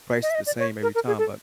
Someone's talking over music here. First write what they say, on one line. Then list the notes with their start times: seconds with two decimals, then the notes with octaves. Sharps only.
prices the same every time. But,
0.23 D#5
0.30 E5
0.35 D#5
0.47 D5
0.59 C#5
0.83 A#4
0.95 A#4
1.07 G#4
1.18 A4